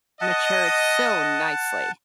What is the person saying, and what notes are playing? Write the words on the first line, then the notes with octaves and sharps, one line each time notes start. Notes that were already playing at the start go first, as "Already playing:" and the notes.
matured so nicely.
D#5 F#5 A5